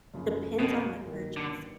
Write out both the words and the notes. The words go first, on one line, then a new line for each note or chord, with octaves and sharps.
depends on the urgency
F#2 C#3 F3
B2
G2 D#3 F#3 A#3
D3